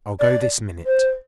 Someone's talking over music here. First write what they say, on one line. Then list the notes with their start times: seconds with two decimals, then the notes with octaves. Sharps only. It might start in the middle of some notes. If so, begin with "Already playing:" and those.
I'll go this minute.'
0.20 D5
0.86 C5